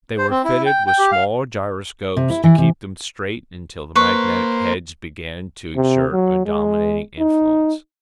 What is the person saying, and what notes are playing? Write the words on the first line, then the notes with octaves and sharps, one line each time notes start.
They were fitted with small gyroscopes to keep them straight until the magnetic-heads began to exert a dominating influence.
C5
C4
E4
G5
G5
G4
F5
C3
E4
E3
C3
A#3 B4 C5 C#6
C3
F#3
G#3
D#4